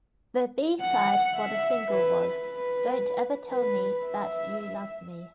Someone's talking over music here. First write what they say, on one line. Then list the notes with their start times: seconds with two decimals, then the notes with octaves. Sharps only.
The B-side for the single was "Don't Ever Tell Me That You Love Me".
0.80 F#5
1.35 E5
1.89 B4
2.42 B4
3.50 B4
4.04 E5